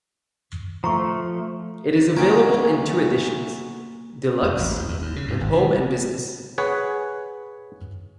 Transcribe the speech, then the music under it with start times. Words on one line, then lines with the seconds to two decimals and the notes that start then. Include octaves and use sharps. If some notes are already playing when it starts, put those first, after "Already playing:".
It is available in two editions: Deluxe, and Home and Business.
0.84 F3 A3 A#5 C#6
2.17 D2 A#3 B3 C#4 A#5 G#6 D7
4.43 F2
4.59 A1
4.75 D#2
4.88 E2
5.02 D#2
5.16 C#3
5.28 G#2
5.41 G#1
5.53 C3
6.58 G#4 B4 C#5 F#5